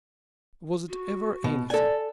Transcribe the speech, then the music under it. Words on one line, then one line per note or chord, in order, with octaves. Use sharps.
Was it ever anything?
F#4
B2
A4 D5 G#5